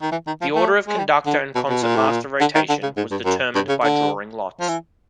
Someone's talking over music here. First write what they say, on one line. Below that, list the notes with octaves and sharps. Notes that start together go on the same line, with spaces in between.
The order of conductor and concertmaster rotation was determined by drawing lots.
D#3
E3
D#3
F3
A3
G#3
G3
D3
B2
B2
A#2
A2
A#2
D3
D#3
D3
C#3
G#2
G2
F#2
G2
C#3
D3
F3
E3